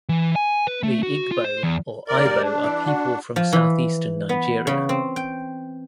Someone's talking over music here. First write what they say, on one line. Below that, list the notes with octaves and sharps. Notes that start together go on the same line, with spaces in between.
The Igbo or Ibo are people from Southeastern Nigeria.
E3
G#5
B4
A3
F#4
F4
C5
E2
D#2 A#4 D5
G3
D4
E3 D5
F#4
F3
E3
B3
C#3
C4
G5